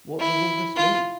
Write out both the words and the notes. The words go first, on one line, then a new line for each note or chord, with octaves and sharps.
What does all this mean?
E4
F4